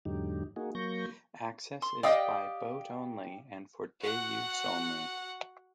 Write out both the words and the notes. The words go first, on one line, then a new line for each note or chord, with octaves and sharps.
Access is by boat only and for day-use only.
E2 G#2 D3 F#3 D#4 G4
A#3 D#4 F#4 G#4
F#3 A#3 C#6 G6 A#6
C6
G4 D5 D#5 F5 G5 D#6
F#4 F#5